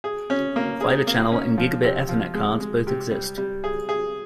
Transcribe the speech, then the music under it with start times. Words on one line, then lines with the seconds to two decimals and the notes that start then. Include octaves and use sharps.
Fibre channel and Gigabit Ethernet cards both exist.
0.04 G#4
0.30 C#4
0.56 A#3
0.81 G#4
1.07 A#3
1.32 C#4
1.58 F3
1.83 C3
2.09 F3
2.34 G#3
2.60 G#3
2.87 C3
3.11 G3
3.38 G3
3.64 G#4
3.89 G#4